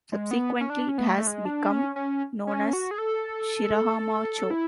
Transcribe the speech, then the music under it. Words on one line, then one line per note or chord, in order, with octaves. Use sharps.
Subsequently, it has become known as Shirahama-cho.
G#3
B3
C#4
D4
C#4
B3
A3
A3
G#3
D4
C#4
C#4
C#4
F#4
G#4
A4
E4